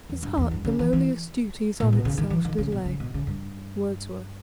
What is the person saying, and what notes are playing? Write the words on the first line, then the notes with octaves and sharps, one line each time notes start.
"His heart The lowliest duties on itself did lay." --WORDSWORTH.
E2
G2
E2
G2
C#3
E3
E3
A#2
B2
C#3
D#3
E3
D#3
C#3
B2
C#3
B2
C#3
G2